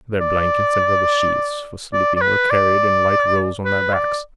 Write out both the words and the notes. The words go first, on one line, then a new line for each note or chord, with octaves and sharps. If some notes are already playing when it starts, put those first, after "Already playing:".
Their blankets and rubber sheets for sleeping were carried in light rolls on their backs.
D5
D5
D5
B4
D5
B4
D5